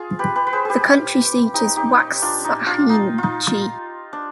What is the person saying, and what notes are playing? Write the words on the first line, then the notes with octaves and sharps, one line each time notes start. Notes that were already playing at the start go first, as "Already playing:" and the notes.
The county seat is Waxahachie.
Already playing: F4 G#4
G4 B4
G4 B4
B4
G#4 C5
G4 G#4 B4
D#4 G4
D#4 G4
D#4
D4 F4
D#4
D4 F4
D#4
D#4 F4
D4